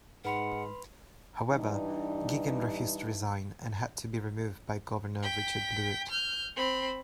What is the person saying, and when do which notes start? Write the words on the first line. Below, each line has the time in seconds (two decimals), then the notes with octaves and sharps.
However, Jagan refused to resign, and had to be removed by Governor Richard Luyt.
0.25 G#2 G#3 B4 F#5 B5 C6
1.51 G2 E3 G3 D4 D#4
5.23 G5 B6
6.10 F6 G6
6.56 C4 B5